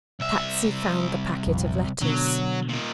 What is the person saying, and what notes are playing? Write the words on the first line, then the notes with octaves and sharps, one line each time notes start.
Patsy found the packet of letters.
C2 E5
A#1 F2
B2 D3 F#3
A#2 D#3